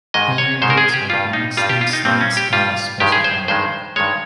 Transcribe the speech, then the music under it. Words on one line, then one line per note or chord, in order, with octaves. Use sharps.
All airdates are United States dates unless specified.
G#2 D#3 G#3 D#5
C#5
G#2 D#3 G#3 C5
A#4
G#4
G4
G2 G3 F4
D#4
G2 G3 F4
G4
F4
D#4
G2 G3 C4
C#4
G4
G2 G3 F4
G2 D#3 G#3 G4
G#4
C5
G2 D#3 G#3 C5
G2 D#3 G#3 C#5